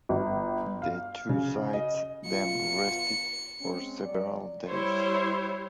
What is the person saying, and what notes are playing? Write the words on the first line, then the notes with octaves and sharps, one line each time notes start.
The two sides then rested for several days.
G1
F5
C#3
D#5
F#2 B2 F4 C#7
G#3 C4 C#4
F#3 D5
G3 E4 C5 C#5